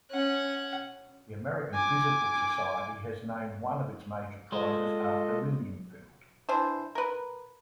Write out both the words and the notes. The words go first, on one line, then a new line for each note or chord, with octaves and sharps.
The American Physical Society has named one of its major prizes after Lilienfeld.
C#4 F#5
G#5 D6
G#3 F4 A4 C5 D#5
E3 D4 C5
A#4 B4